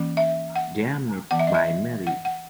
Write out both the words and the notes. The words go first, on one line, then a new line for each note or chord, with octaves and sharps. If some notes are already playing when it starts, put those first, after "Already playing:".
They are met by Mary.
Already playing: E3 A#3 C#4
E5
F#5
E3 B3 F#5
E5
D#5
E5
F#5
F#5